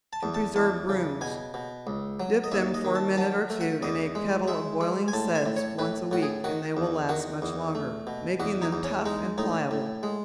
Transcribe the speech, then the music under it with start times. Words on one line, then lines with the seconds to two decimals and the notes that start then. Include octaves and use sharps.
To Preserve Brooms.--Dip them for a minute or two in a kettle of boiling suds once a week and they will last much longer, making them tough and pliable.
0.13 A5
0.23 E2
0.34 A5
0.56 E2 A5
0.89 C#3
1.21 B2 G#5
1.54 B2
1.87 C#2
2.20 F#3
2.44 D#5
2.52 D#2 E5
2.74 D#5
2.85 D#3
2.95 A5
3.17 F#3 A5
3.50 A3
3.61 F#5
3.82 E2 D#5
4.15 G#3
4.48 G#3 E5
4.81 G#3
5.08 G#5
5.13 A2 A5
5.35 G#5
5.46 A2
5.56 C#5
5.79 A2 B4
6.11 A2 F#4
6.23 G#4
6.44 D#3 F#4
6.77 E2
7.09 D#3 F#4
7.42 E2
7.75 A3
8.07 B2
8.40 E2 F#4
8.62 D#4
8.72 E2
8.84 C#4
9.06 G#3 D#4
9.38 A2 D#4
9.71 A2
10.03 G#3